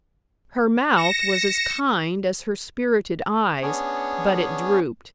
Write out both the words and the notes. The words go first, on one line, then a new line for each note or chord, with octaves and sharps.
Her mouth was as kind as her spirited eyes, but it drooped.
A#6 C#7 E7
B3 C#4 D4 G#4 C#5